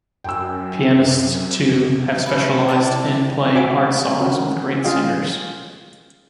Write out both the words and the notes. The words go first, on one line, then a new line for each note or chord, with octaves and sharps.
Pianists, too, have specialized in playing art songs with great singers.
F#2 G5 G#5 E6
A3 B4
E4 D5 A5
F#4 C#5 E5 G#5 D6
C#4 F#4 A#4
C#4 F4 G#4 D#5 F5 G5